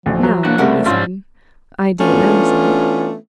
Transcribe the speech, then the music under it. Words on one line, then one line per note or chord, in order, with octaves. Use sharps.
"No," he said; "I didn't notice it."
A1 D2 F3
F#3
B1 A#3 D4 F#4
C2 C#3 G3 A3 C4 A#4 F#5
F2 G#2 G3 C4 C#4 F4 C6
E3 A3 B3 C#4 D4 F4